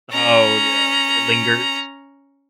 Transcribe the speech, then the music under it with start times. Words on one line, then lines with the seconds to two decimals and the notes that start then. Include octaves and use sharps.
Oh, yeah. It lingers?
0.12 C#4 A#5